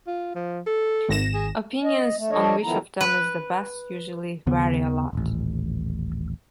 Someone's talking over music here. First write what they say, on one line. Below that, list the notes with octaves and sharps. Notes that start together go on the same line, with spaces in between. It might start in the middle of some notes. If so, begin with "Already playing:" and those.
Opinions on which of them is the best usually vary a lot.
F4
F3
A4
G#1 A#6 E7
G#4
D#5
A3
F3 D4 A4 C#5 D#5
D3 D#3 F3 B3 E4 A#5
B4
D#2 C#3 B3
D#1 A1